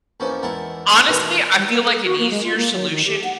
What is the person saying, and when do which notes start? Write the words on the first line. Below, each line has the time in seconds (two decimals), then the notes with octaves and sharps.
Honestly, I feel, like, an easier solution
0.20 E2 F3 A#3 C#4 D#4
0.43 E2 G#3 E4 A#4 F#5 A5
1.08 B2 D#3 E3 A3
1.57 G3
1.69 A#3
1.85 A4
2.04 F#4
2.19 A#3
2.31 G#3
2.43 F4
2.56 A#3
2.73 F#3
2.90 D#3
3.05 G4
3.24 F#5